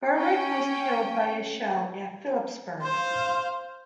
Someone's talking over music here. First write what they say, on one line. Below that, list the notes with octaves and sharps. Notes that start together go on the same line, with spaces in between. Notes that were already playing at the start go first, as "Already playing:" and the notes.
Berwick was killed by a shell at Philippsburg.
C#4 G5
C5 F5